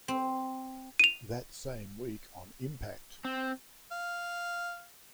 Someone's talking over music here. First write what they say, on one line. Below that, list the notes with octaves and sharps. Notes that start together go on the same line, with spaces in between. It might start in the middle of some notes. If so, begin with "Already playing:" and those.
That same week on Impact!
C4
D#7 F7
C4
F5